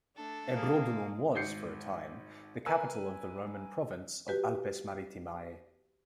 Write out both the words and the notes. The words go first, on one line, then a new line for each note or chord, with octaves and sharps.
Ebrodunum was, for a time, the capital of the Roman province of "Alpes Maritimae".
A3 D4 A4
A#3 G#4
G#3
G#1 G6 C7 C#7
A#4 B4 G#5 E6
F#4 G4 B4